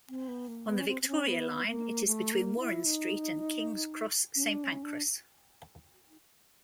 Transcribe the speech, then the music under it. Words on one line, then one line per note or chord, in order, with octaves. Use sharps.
On the Victoria line it is between Warren Street and King's Cross Saint Pancras.
C4
B3
A#3
B3
C#4
C4
C4
C#4
B3
A#3
A3
A#3
E4
D#4
C#4
D4
C#4
D4